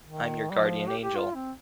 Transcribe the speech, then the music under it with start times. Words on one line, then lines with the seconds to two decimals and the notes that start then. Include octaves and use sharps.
I'm your guardian angel.
0.04 D#3
0.51 G3
0.60 F3
0.88 G4
1.03 G4
1.16 F4
1.35 C4